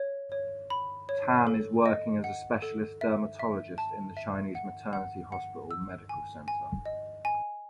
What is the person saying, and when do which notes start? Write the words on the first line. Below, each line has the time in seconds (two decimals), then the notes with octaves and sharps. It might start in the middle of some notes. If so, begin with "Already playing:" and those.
Tan is working as a Specialist Dermatologist at the Chinese Maternity Hospital Medical Centre.
Already playing: C#5
0.32 C#5
0.70 B5
1.09 C#5
1.47 A4
1.86 D#5
2.24 F#5
2.62 A4
3.01 E5
3.39 E5
3.78 A5
4.17 E5
4.55 F#5
4.93 F#5
5.32 F#5
5.71 E6
6.09 G#5
6.48 G#5
6.85 D#5
7.25 G#5